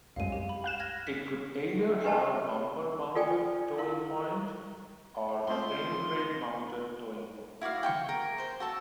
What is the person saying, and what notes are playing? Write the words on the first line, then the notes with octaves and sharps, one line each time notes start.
It could either have bumper mounted towing point or frame rail mounted towing point.
C2 F#2 G#3 F5 D#7
G4
B5
F5 F#6 E7
F6 G#6 A#6
B6
D4 G4 B4 D#5 A5
F4 A4 D5 G5 G#5
E4 A#4 F5
G#3 A3 C4 F4 C6
E4 F#4 D5 F5
G5 G#5 C#6
A#4
C5
F#4 A4 A5